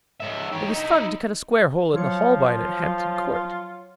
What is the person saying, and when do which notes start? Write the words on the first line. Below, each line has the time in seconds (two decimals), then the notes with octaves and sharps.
It was fun to cut a square hole in the Holbein at Hampton Court.
0.20 G#2 E5
0.52 G4 C#5
0.69 D#4 E4
1.94 F3 F#3 F4 C#5 C#7